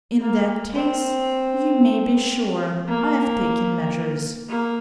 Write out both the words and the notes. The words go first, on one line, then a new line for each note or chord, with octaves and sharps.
In that case you may be sure I've taken measures.
A#3
C4
A#3
A#3